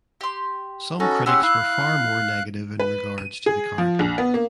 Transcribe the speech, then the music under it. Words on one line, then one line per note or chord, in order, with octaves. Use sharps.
Some critics were far more negative in regards to the character.
G4 C6
C#4 D#4 F#4 A4
C#4 E4 G4 G#4 F#5 C6
E4 F5 F#6
B4
D#7
G#4
F3
A#1
B3
A#3